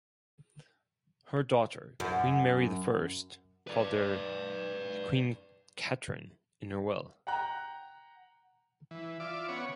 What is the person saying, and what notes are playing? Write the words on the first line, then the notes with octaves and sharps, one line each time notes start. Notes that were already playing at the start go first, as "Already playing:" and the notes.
Her daughter Queen Mary the First called her "Quene Kateryn", in her will.
F#2
B4 D5
F#5 G5 A#5 F#6
E3
F4 D5 E5 D6
B3 C#4 C#5 F#5